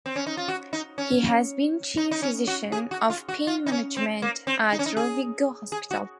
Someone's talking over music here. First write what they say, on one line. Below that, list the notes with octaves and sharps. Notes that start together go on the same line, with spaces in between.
He has been chief physician of pain management at Rovigo Hospital.
C4
C#4
D#4
F4
F#4
D#4
C#4
D#4
D#4
C#4
F#4
G#4
F#4
F4
F#4
F4
D#4
C#4
C4
A#3
C4
D#4
C#4
D#4
G#4
G#4
F#4